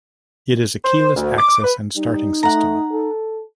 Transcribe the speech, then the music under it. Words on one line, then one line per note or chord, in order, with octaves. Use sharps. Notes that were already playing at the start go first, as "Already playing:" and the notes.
It is a keyless access and starting system.
C5
D2
D6
B4
G3 D#4
A3 F#5 A#5
A4